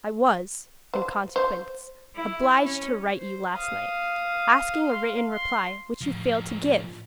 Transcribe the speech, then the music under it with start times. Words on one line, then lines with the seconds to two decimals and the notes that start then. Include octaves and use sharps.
I was, in consequence, obliged to write you last night, asking a written reply, which you failed to give!
0.94 C5
1.36 C5
2.15 E4
2.65 C#4
3.15 C5
3.55 F5 D#6
4.83 F5 C6
5.33 C6
6.01 A2 F3